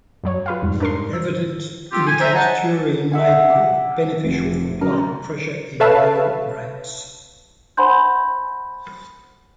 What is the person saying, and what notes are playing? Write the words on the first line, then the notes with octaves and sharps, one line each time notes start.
Evidence indicates taurine may be beneficial for blood pressure in male rats.
F#2 F#3 C#5
F4 B4 F5
F2 G#2 C3 G3
D4 A#4 C6
E6
C4 F4 G4
G#5
C5 E5 A#5
C5 C#5 D#5 F#5 G#5 A5
E5 F#5 G#5
D6
F1
F#2 A#4
A4 B4 C#5 E5 F5 A5
C5 F#5 G#5 B5 C6 G6